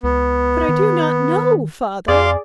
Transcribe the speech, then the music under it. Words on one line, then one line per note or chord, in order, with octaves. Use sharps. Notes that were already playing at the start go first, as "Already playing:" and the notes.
"But I do not know, Father!"
C#2 B3
D#3
F2 G#4 D5 F5 C6 D6